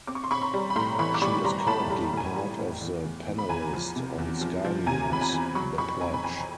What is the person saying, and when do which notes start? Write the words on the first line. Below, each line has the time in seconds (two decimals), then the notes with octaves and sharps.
She is currently part of the panellist on Sky News "The Pledge".
0.07 C4 D6
0.15 C#6
0.24 C6
0.31 C4 B5 C#6
0.42 A#5 C6
0.54 G3
0.70 B5
0.76 A2 A#5 C6
0.99 E3 B5 C#6
1.14 D6
1.22 G3 B5 C#6
1.45 G3 A#5 C6
1.67 A2 A5 B5
1.90 G3 A#5
2.04 B5
2.13 A2 G#5 A#5
2.36 G3
2.58 A2
2.81 E2
3.04 E2
3.27 E2
3.38 B5
3.49 E2 G#5 A#5
3.73 F3
3.96 C3
4.18 E2
4.41 F3
4.64 F3
4.86 C3 G#5 A#5
5.10 E2 B5
5.21 G#5 A#5
5.32 E2
5.55 F#3 B5 C#6
5.78 F2 B5 C#6
6.01 F2 G#5 A#5
6.14 B5
6.24 F2 G#5 A#5